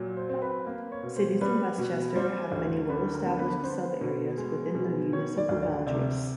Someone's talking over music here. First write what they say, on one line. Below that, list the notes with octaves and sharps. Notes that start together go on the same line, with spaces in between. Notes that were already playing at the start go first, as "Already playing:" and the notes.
Cities in Westchester have many well established sub-areas within the municipal boundaries.
Already playing: A#2 F#3
C5
C4
B4
A#3
C#5
B2
C5
G3 B4
B2
G3 C5
D2
D3 B4
A#4
B3
B4
B3 C5
B2
G#3
B2
D#3 C#5
D5
D2
D5
C3 D5